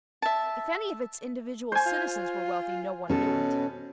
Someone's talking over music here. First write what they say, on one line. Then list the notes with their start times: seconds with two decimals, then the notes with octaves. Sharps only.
If any of its individual citizens were wealthy, no one knew it.
0.22 E5 A5
1.72 C5 G#5
1.86 F4
3.09 B2 C#4 A4